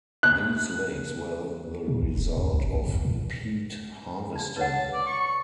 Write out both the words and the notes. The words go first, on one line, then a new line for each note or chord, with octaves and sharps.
These lakes were the result of peat harvesting.
F#6
A#2
A#1
D#1
D#2
C#2
F#1
A#1
E2
A2
D4 D#4
B4 C#5 F#5 A5
D5
C#6